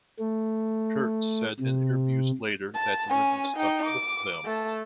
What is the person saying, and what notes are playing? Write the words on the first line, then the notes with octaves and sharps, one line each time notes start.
Peart said in interviews later that the rhythm stuck with them.
A3
C3
A5
C#4 G#5
D#4 G5
D6
A3 A5